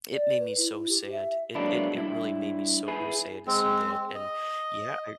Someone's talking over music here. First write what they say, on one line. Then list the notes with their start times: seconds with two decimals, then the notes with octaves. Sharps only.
It made me so sad. It it it really made me so sad to see that, and, yeah, I
0.13 D5
0.39 B4
0.58 E4
0.89 G4
1.12 E5
1.55 F#3 G#3 A#3 B3 D4 E4
1.95 G2 E4
2.88 E4 G#4 B4
3.47 G#3 C4
4.15 D#5